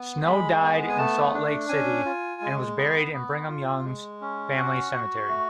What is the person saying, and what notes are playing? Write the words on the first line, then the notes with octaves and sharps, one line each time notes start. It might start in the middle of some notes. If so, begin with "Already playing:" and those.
Snow died in Salt Lake City, and was buried in Brigham Young's family cemetery.
Already playing: B3
G#3 B5
B3
G#5
A3 A5
D4
C#4 G#5
F4
G#3
B3
B3
F4
G#3
C#4
F#4 F#5
F#4
A3